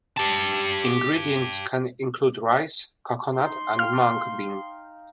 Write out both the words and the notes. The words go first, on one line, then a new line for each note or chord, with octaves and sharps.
Ingredients can include rice, coconut and mung bean.
G4 A5
D#4 C6
F5 G5 F6